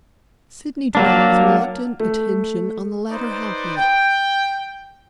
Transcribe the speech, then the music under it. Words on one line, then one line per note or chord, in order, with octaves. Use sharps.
Sydney dwelt with reluctant attention on the latter half of it.
F#3 A#3 D4
A3
D#4 B4 C5 D5
G5